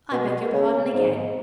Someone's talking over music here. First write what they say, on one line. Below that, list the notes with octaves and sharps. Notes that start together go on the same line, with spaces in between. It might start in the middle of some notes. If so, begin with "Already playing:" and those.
I beg your pardon again.
B2
C#3
G#2